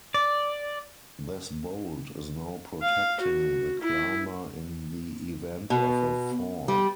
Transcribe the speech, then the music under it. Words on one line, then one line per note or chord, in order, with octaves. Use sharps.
This bolt is now protecting the climber in the event of a fall.
D5
F5
F#4
E4
B2
G3